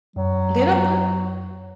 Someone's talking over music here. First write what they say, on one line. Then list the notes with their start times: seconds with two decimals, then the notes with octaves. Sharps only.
They don't put
0.16 F#2 F#3